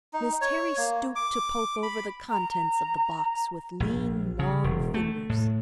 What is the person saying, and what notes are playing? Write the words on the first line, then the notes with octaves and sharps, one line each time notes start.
Miss Terry stooped to poke over the contents of the box with lean, long fingers.
D#4
C#5
A#3
D6
B5
A#5
A#1
C#3
E1
A3
A2